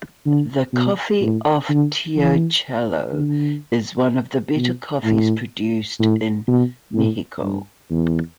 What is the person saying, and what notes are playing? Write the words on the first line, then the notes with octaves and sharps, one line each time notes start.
The coffee of Teocelo is one of the better coffees produced in Mexico.
D3
B2
A2
D3
E3
D3
B2
A2
A2
B2
A2
G2
E2